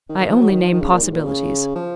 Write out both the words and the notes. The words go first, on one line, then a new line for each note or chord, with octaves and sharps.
I only name possibilities.
D#3
D#3
F3
F#3
D#3
F3
D#3
C#3
A#2
G#2
A#2
C#3
F3